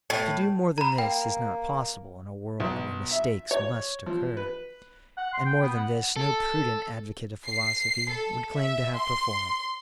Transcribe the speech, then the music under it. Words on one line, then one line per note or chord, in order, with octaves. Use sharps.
To do more than this is not possible in a world where mistakes must occur; and more than this no prudent advocate of philosophy would claim to have performed.
A2
A#5 B5
A#3 G5
B1
E5
C#5
F3
B4
F#5
C6
G5
B3
F#5
A4
C7
A4
E5
C6